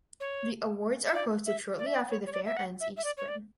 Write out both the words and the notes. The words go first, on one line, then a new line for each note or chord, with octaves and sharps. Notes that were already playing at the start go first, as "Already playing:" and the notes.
The awards are posted shortly after the fair ends each spring.
C#5
E5
D5
E5
D5
E5
D5
C#5
C#5
D5
E5
F#5
E5
E5
D5
C#5
D5